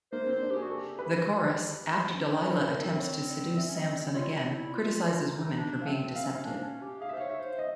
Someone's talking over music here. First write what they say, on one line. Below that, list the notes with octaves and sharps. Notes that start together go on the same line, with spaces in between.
The Chorus, after Delila attempts to seduce Samson again, criticises women for being deceptive.
A#3 C5
C4 C5
D4
G4
G#4
F#4
G4 A4
B4
C#4
C#4 B4
A4
D#4
A#4
C4
C#5
D5
C4 E5
C#4
C4 D#5
C#4 D5
C4
F4 C#5
E4
D#4
D5
E4
F4
D#4
D#4
D4
F5
C4 E5
C4
F5
C#4
D4
C#4
G4
G#4 F5
E5
C5
C#5 F5
E5
C5
D#5